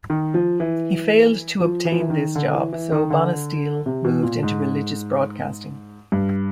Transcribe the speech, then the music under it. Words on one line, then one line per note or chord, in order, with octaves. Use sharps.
He failed to obtain this job, so Bonisteel moved into religious broadcasting.
D#3
F3
E3
F3
E3
F3
E3
D#3
D3
E3
E3
D#3
D3
C3
B2
A#2
G#2
G2